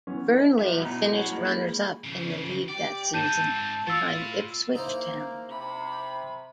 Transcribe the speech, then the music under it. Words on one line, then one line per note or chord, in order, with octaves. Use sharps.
Burnley finished runners-up in the league that season, behind Ipswich Town.
E3 B3 C#4
D#4
A#2 F#3 F#4 E5
B2 F#3 E4 A#5
F#4 C#5 F#5
G#3 A#3
C#3 F3
G4 D5
G#2 C4 A5 G6 D#7 E7
A2 F4 E6 A6
A#3 D#4 E4 C5
C3 B5